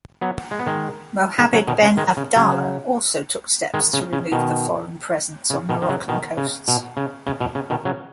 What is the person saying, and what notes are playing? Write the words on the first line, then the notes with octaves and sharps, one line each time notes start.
Mohammed ben Abdallah also took steps to remove the foreign presence on Moroccan coasts.
F#3 B3
G#3
B3
D#3 G#3
D#3 G#3
C#3 F#3
B2 D#3
C#3
D#3 G#3
C#3
C#3 F#3
D#3 G#3
C#3
C#3
B2 D#3
C#3
B2 D#3
D#3
C#3 F#3
B2 D#3
C#3
B2
C#3
C#3
B2
C#3
B2 D#3
C#3 F#3